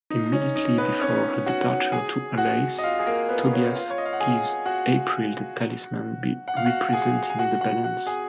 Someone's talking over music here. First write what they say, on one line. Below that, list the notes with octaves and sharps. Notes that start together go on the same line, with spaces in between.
Immediately before her departure to Alais, Tobias gives April the Talisman representing the Balance.
D#4
C#4
D#4
B3 B4
C#4 C#5
F#4 F#5
G#4 G#5
F#4 F#5
D#5
F4 F5
G#4
A#3 A#4
B3 B4
C#4 C#5
F4 F5
C#5
D#5
F5
F#5
G#4 G#5
F#4 F#5
F#5
F5
F#4 F#5
F#5
G#4 G#5
G#5
F#4 F#5
F#4 F#5
F#4 F#5
G#4 G#5